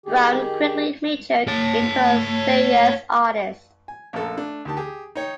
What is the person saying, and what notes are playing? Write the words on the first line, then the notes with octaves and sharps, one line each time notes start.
Brown quickly matured into a serious artist.
D#3 G4 G#4
C#5 A5
G#5
A#1 F#2 A3 A4
A3 D4
D2 D#3 G4 A5
G4 G#4
D#4 C#5 G5